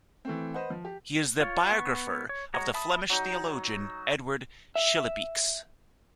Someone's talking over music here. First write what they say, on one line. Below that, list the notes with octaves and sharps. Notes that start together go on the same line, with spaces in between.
He is the biographer of the Flemish theologian Edward Schillebeeckx.
E3 A3 C4
B4 C5 D#5 F#5
F3
G4
F4 C#5
B3 C#6
C#5
G#3 F#4 C#5 A#5
E5 A5 B5 D#6
F#3 D#4
E5